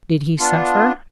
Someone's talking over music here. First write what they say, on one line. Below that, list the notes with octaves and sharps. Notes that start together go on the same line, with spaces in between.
Did he suffer?
B3 D4 F4